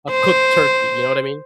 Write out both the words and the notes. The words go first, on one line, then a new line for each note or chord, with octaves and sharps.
a cooked turkey, you know what I mean?
C5